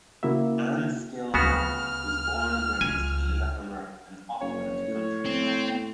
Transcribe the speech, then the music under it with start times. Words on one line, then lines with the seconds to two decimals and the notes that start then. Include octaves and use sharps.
Anne Stine Moe was born and raised in Lillehammer, in Oppland county, Norway.
0.23 C#3 A#3 E4 F#4 E5
1.34 D2 C#3 B3 F#4 F6
2.81 C#2 G#5
4.41 F#1 C#5
4.88 A2
5.26 C4